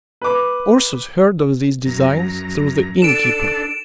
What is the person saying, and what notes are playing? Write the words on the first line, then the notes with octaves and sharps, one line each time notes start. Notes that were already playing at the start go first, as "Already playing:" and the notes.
Ursus heard of these designs through the inn-keeper.
B4 D6
F#2 A#5
D4 A4 D7 E7